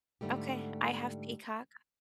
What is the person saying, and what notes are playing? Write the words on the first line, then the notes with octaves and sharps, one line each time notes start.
Okay, I have Peacock.
G#2 D3 G3 A3 G4